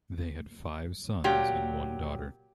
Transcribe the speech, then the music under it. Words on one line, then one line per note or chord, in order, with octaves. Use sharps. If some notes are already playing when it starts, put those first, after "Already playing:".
They had five sons and one daughter.
A#2 F#3 G4